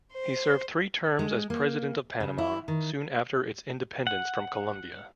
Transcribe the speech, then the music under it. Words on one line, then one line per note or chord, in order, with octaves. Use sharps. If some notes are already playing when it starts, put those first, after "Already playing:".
He served three terms as President of Panama soon after its independence from Colombia.
C5
G#3
A#3
C#3
E4
D#3
F#5